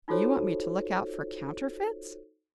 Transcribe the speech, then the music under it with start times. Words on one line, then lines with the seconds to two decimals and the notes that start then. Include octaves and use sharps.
"You want me to look out for counterfeits?"
0.08 D#4 F4 F#4 A4 C5 C#5